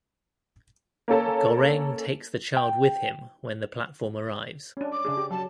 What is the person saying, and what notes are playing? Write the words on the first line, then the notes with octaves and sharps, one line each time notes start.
Goreng takes the child with him when the platform arrives.
A#3 C#4 A4 A5
G5
C#4 D4
D6
C#3 D4 G#4
G4
F#3 A5